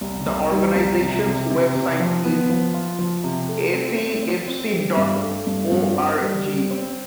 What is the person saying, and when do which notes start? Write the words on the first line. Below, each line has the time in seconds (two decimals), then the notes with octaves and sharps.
The organization's web site is acfc dot org.
0.01 C2
0.26 C2
0.51 G3
0.76 C2
1.01 C3
1.26 C3
1.50 C3
1.75 C3
2.00 F3
2.25 B3
2.50 F3
2.74 F4
2.99 F3
3.24 C3
3.49 A3
3.73 C4
3.98 C4
4.23 C4
4.48 C4
4.72 G3
4.97 G2
5.22 A3
5.47 G2
5.72 G2
5.96 C4
6.21 G3
6.46 G3
6.71 C4